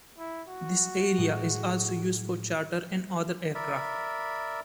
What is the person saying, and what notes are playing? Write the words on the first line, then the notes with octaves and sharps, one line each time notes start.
This area is also used for charter and other aircraft.
E4
F#4
A2 G#3
A#4 D5 E5 B5